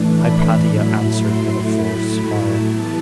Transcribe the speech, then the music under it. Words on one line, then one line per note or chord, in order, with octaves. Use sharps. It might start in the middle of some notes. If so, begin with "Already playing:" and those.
Hypatia answered with a forced smile.
Already playing: A2 E3 A3 D4
B5
A2 F#3 A3 E4 B5
C6
B5
E3 G3 B3 E4 A5